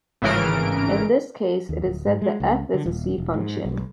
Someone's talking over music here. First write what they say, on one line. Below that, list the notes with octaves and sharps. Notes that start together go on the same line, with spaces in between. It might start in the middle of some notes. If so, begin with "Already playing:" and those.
In this case, it is said that "f" is a C function.
G#1 A2 C#3 E3 A#4 D7
D#2
D1
G#2
G#3
C#2
D3
D#1
E1
G#2
B1